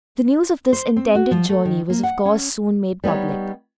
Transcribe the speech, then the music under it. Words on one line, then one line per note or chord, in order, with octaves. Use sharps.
The news of this intended journey was of course soon made public.
C5
C4
F#4
F3
A3
D#3
A#3
F#5
C#4
G3 B3 D#4 C#5